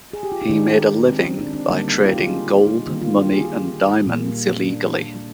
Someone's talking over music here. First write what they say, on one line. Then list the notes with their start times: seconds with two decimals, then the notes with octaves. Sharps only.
He made a living by trading gold, money and diamonds illegally.
0.13 G#4
0.23 G4
0.32 F4
0.42 D#4
0.49 D#3 G#3 D4
1.09 C4
1.24 D4
1.39 D4
1.48 C4
1.53 D4
1.69 D3 G3 A#3 D#4
1.99 G4
2.05 F4
2.13 D#4
2.19 F4
2.28 G#4
2.48 F4
2.67 D#4
2.86 D#3 G3 A#3 D4
3.02 F4
3.16 G4
3.32 G#4
4.06 A#2 G3 A#3
4.64 D4